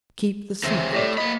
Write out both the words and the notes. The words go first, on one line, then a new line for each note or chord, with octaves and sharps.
Keep the Secret.
D2 C#3 E3 C4 E5
A2 A3 G4 C#5 D5
A#3 D#5 B5